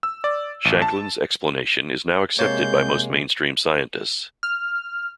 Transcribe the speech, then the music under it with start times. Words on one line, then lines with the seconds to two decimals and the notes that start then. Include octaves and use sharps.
Shankland's explanation is now accepted by most mainstream scientists.
0.03 E6
0.24 D5
0.65 A1
0.82 A5
2.39 C3 G#3 A#3 C#5 A5 C6 G6
4.43 F6